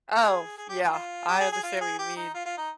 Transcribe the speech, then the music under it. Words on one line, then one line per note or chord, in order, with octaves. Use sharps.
Oh, f yeah, I understand what you mean.
G#4
G#4
G4
F4
F4
G4
G#4
G#4
F4
G#4
G4
D#4
F4
F4
D#4